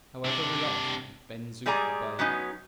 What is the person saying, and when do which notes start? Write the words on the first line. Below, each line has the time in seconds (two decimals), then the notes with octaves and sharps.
However reluctantly, Ben Zoof obeyed.
0.25 C3 D4
1.66 G3 G#3 G#4 D5 A#5
2.19 F#3 B3 C#4 D#4